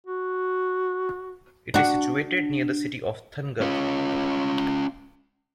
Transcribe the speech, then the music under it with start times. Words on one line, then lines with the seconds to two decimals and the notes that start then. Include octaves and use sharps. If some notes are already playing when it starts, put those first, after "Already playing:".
It is situated near the city of Thangadh.
0.07 F#4
1.74 D4 F#4
3.61 C#4 F4